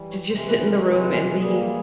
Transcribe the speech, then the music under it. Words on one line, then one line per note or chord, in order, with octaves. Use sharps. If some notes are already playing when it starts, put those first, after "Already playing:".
to just sit in the room and be
Already playing: E3 G3
C#5
C3 E3 G#3 C5
B4
B4
A#4
C3 E3 G#3 B4
B4
A#4
E3 G3 A#3 G#4